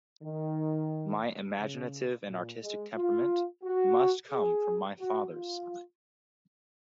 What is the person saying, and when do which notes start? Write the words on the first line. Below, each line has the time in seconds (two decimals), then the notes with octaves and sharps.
My imaginative and artistic temperament must come from my father's side.
0.23 D#3
1.59 C#3
2.28 A#2
2.62 G#3
2.96 F4
3.64 F#4
4.31 G#4
5.00 F#4
5.33 F4